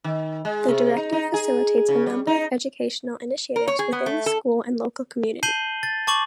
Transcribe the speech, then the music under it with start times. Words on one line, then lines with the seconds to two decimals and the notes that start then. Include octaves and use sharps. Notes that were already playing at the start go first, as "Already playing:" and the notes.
The director facilitates a number of educational initiatives within the school and local community.
0.04 D#3
0.45 G#3
0.69 C3
0.97 D#4
1.12 D#4
1.34 G#4
1.89 C#3
2.06 G3
2.27 D#4
3.56 A#4
3.68 C#5
3.79 G#4
3.93 B3
4.06 A3
4.26 A4
5.43 A5 G6 C7 D#7 F#7 G7
5.83 A6
6.07 A5 C#6 D6 F#7